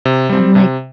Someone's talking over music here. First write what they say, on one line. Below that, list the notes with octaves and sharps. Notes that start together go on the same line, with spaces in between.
I'm like,
C3
G3 C4
C3